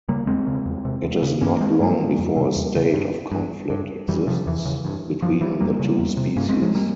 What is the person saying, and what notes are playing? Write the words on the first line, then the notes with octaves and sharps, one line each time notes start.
It is not long before a state of conflict exists between the two species.
C#3 G3 A#3
E2 G#3 C4
C#3
E2
C3
E2
C#3
G2 A#3 C#4
A#3
G#3 C4
G2 G3 A#3
F2
C3
E2
C#3
G2
G2
G2
F2 E3 G3
C3 F3
E2 E3
C#3
G2
G2 F3
E3 G3
F2 G3 A#3
C#3
E2
C3
G2 A#3 C#4
G#3 C4
F3 G#3
G3 A#3